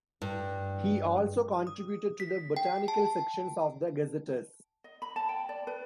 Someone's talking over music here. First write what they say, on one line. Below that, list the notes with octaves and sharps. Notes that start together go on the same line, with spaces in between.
He also contributed to the botanical sections of the Gazetteers.
G2
D#6
B6
G5
A5
D#5
B5
A5
G5
D5
B4